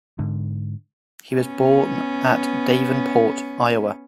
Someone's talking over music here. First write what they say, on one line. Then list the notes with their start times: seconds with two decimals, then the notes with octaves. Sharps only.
He was born at Davenport, Iowa.
0.19 G#2 D3
1.35 B3 C#4